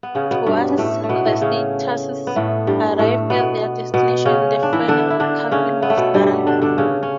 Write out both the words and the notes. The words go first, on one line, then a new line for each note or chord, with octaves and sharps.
Once the statues arrived at their destination, the final carving was done.
B3
C#3 C#4
B2 B3
G2 G3
A2 A3
A3
B2 B3
A2 A3
C#3 C#4
B3
A2 A3
G2 G3
A2 A3
B2 B3
B2 B3
C#3 C#4
D4
E3 E4
D3 D4
E4
D3 D4
C#3 C#4
B3
A3
B2 B3
G2 G3
D3 D4
D3 D4
C#3 C#4
C#4